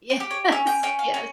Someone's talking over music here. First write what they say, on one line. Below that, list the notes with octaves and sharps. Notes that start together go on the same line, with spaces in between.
Yes, yes.
G5
G4
C#5
C#4 E5
G5
C#4 G5
F5
C#4